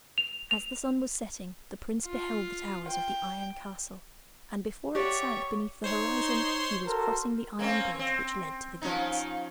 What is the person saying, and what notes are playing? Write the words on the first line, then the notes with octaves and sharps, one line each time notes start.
As the sun was setting, the prince beheld the towers of the Iron Castle, and before it sank beneath the horizon he was crossing the iron bridge which led to the gates.
F7
F7
F4
G5
G4 C#5 D5 E5 F#5 C#6
D#4 C5 C#5 C6
F#4 A4 A#4 C5
A#3 C4 C#4
C4
F3 C#4 D#4